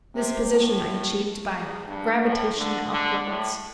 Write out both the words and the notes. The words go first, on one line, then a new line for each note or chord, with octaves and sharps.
This position I achieved by gravitation upwards.
C3
A2
E2
G2
A2
D3
D3
A2